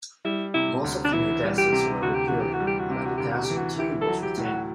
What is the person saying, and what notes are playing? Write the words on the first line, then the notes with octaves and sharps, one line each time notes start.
Most of the new taxes were repealed, but the tax on tea was retained.
G3 E4
C3 E4
D2
D4
E3 E4
G3
G4
C3
D2 F#4
G4
E3 F#4
G4
F#4
G3
G4
F#4
C3 G4
F#4
D2 G4
F#4
G4
E3
F#4
E4 G4
A4
F#3
G4
A2
F#4